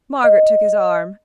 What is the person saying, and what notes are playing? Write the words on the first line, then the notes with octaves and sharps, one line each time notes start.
Margaret took his arm.
D#5